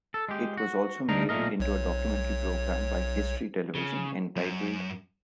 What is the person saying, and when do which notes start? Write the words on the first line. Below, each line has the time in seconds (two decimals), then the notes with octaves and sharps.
It was also made into a documentary program by History Television, entitled "".
0.14 A4
0.29 G#3 G4
0.57 F#4
1.09 D2 D4 D#4 A#4 A#5
1.29 B1 A#2 G#3 A3 A#4 D#5
1.60 B1 C#5
3.75 C#3
4.36 F#2